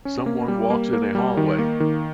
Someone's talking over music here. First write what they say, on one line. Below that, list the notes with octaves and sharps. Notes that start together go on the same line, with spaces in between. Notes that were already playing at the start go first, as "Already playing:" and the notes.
Someone walks in a hallway.
C#4
A#3
G3
A#3
A#3
G3
D#3
A#3
D#3